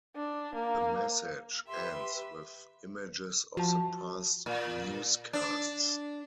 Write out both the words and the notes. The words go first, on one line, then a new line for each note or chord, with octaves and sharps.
The message ends with images of the past newscasts.
D4
A#3
G4 B4 E5 C6
F3 F#4 A5
A#2
D4